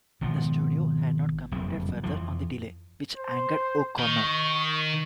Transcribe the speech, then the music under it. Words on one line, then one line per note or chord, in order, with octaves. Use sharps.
The studio had not commented further on the delay, which angered O'Connor.
G#1 B2 F3
F#1 F2 G3
F2 E3 F3
C5
D#3 C#6